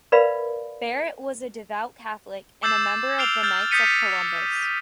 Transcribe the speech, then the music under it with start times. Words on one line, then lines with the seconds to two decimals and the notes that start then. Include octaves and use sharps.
Barrett was a devout Catholic, and a member of the Knights of Columbus.
0.12 A#4 B4 D5 E5 F5 B5
2.63 D6 E6 G6 A6 C7 E7
3.18 F6 C7 D7 F7 G7
3.43 F6 G6 A6
3.71 D#6 G6 A6 B6 C#7 D#7